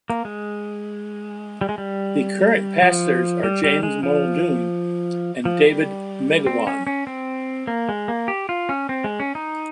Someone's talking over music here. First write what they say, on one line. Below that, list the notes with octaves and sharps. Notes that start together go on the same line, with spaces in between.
The current pastors are James Muldoon and David Magowan.
A#3
G#3
G3
G#3
G3
F3
G3
G3
G#3
F3
F3
G3
C4
C#4
C#4
C4
A#3
G#3
A#3
G4
F4
C#4
C4
G#3
C#4
D#4